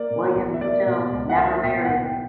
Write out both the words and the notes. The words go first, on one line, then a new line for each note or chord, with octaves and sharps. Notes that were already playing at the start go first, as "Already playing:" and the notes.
William Still never married.
Already playing: A#3 D5
B2
B1
E5
A#3 D5
B2
C#2
F#5
A#3 E5
B2 G5
F#5
B1 G5